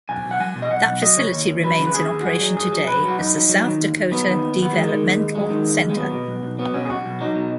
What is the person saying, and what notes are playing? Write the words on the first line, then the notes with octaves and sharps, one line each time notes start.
That facility remains in operation today as the South Dakota Developmental Center.
B1 G#5
B1
F#5
F#3 G#5
B2
D#5
B1 F#5
B1
F#3 D#5
C#3 C#5
D#2
D#2
F#3 B4
C#3
B4
D#2 G#4
D#2
F#4
F#2 G#4
F#3
F#2 G#4
F#3
F#2 B4
F#3
F#4
F#2 D#4
F#3
F#3
D#3
D#2
D#2
F#3 B3
D#3
D#2
D#2 B3
F#3 G#3
D#3
D#2
D#2
F#3 G#3
D#3
D#2
D#2
G#3
F#3 B3
B2
B1
B1
F#3 B3
B2 C#4
G#4
B1 F#4
B1
F#3 D#4
B2